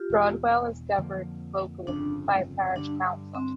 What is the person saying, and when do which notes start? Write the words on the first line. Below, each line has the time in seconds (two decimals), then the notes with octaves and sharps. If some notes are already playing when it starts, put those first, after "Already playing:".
Broadwell is governed locally by a parish council.
Already playing: F4 G4
0.10 E1 E2 B2
0.98 F2 D3 F3 A#3
1.87 G1 F2 C#3 D4
2.75 G2 D3 G3 D4
3.35 C4